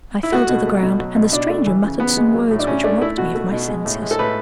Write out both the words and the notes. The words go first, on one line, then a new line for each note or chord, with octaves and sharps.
I fell to the ground, and the stranger muttered some words, which robbed me of my senses.
E4
A3 F#4
B2
A3
B2
F#3
B2
B2 D4
A3
E3
C#3
C#3 B3
G#3
F#3
A2
D4
A2 C#4
A3 D4
A3 E4
B2 F#4
A3
B2
G#3
A2
G#3
A4
A2 B4